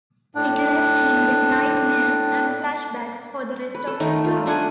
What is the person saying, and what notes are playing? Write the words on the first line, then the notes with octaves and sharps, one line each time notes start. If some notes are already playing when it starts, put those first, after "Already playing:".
It left him with nightmares and flashbacks for the rest of his life.
A2 D4
B4
A4
D#3 A3 D#4
F4
A3 D4 F#5 G#5